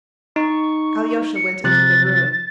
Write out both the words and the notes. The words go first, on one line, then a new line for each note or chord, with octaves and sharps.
Alyosha went into the room.
D#4 C#6
C#7
C3 F3 F#6 A6